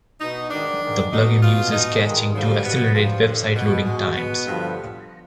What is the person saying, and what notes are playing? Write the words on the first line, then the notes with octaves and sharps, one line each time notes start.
The plugin uses caching to accelerate website loading times.
B2 D#4
G#2 D#3 D4
G#2 D#3
B2 D#4
B2 F4
B2 D#4
G2 D#3 G#3
G2 D3 F3 G3
B2 B3
G2 F3
G2 D3 F3
B2
B2 G#3
B2 B3
G2 D3 F3